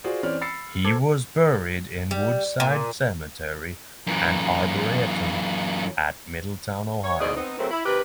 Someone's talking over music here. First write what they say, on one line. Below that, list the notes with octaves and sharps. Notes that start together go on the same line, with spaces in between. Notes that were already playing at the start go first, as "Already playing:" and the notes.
He was buried in Woodside Cemetery and Arboretum at Middletown, Ohio.
F4 F#4 G#4 C5 D5
E3 C4 C#4 D5 F6
B5 E6 A6 C7 C#7
A4 C5 A5 D6 G#6
G3
A#2
F#2 E3
C#5
E2 G#2 B2 G#4 D5 D#5
B3 C4 D#4
C#3 F#3 A3 A#3 C4
E4
C3 D#3 G4 A#4 B4